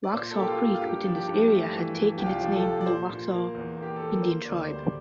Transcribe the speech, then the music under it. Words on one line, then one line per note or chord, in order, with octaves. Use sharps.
Waxhaw Creek within this area had taken its name from the Waxhaw Indian tribe.
D5
A#2 C5
A4
A#3 G4
F4
A#3
F4
G2 G4
F3
G4
G2
A3
E3
G2
C2 G4
F4
G4
F3
A4
C2
D5
A#2 C5
A#2
A#3
E2
A#3
G4
A#3 A4
A#4
A#3 C5
D2 D5
G3 C5
D5